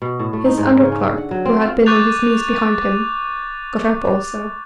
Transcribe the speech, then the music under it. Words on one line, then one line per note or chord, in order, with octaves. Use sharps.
His under-clerk, who had been on his knees behind him, got up also.
B2
A2
A3
D#4
G#2
C#3
C#4
D3
F#5
F#3
C4
F4
C#6 D6 F#6 G6 A6 F7